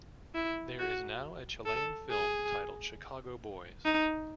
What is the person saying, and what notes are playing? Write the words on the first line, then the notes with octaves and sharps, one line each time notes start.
There is now a Chilean film titled Chicago Boys.
E4
F#4
A4
G#4
D#4